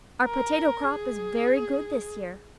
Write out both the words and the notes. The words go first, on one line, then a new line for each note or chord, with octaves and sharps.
Our potato crop is very good this year.
A#4
G#4